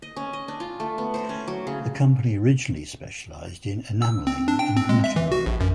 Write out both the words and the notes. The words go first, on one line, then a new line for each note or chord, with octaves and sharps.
The company originally specialised in enamelling and metalwork.
D#5
C#4
D#5
D4
F4
A3
B3
C5
C#4
F#3
C#3
E6
C4
D4
G5
C4
G#3
E5
E3
F#4
A#1
F#2